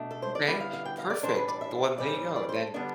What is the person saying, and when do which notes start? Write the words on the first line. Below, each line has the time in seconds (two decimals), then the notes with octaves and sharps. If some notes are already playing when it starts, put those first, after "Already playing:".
Okay. Perfect. The one there you go. Then
Already playing: B2 A3 D4
0.11 A4
0.22 C5
0.35 D5
0.47 D3 G3 B3 E4 D5
0.60 F5
0.73 F5
0.85 G5
0.98 F5
1.10 D5
1.23 A2 E3 G3 D4 C5
1.36 B4
1.48 D5
1.61 E5
1.98 A2 E3 G3 C4 D5
2.36 D5
2.49 C5
2.60 A4
2.74 D3 G3 B3 D4